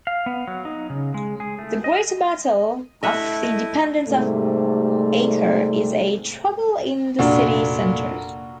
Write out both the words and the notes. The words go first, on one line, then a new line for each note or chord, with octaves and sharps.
The "Great Battle of the Independence of Acre" is a trouble in the city-centre.
F5
B3
F#3
D#4
C#3
G#3
G#4
A3
D#5
A3 E4 D#5 E5 F#5
D#5
G#2 C3 G3 A3
F1 A#2 D4 F#4 A#4